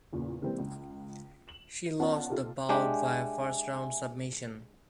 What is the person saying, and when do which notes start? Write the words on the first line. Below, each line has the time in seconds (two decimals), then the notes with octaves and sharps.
She lost the bout via first round submission.
0.13 E2 A#2 C#3
0.42 C3 E3 G3 G#3 A#3 C4
0.59 C#2
1.48 E7 F#7
2.00 B3 C#4 F4 D5 F#5 A5
2.30 C3 D#4 F4 A4
2.69 G#3 D4 G4 E5 G#5